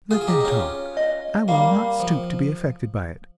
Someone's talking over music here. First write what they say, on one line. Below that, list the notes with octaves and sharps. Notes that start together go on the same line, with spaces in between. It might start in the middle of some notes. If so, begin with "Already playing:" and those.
Let them talk--I will not stoop to be affected by it.
F4 G#4
G#4
D#4 G4
D#4
C#4 F4
D#5
G3 A#3 F5
F3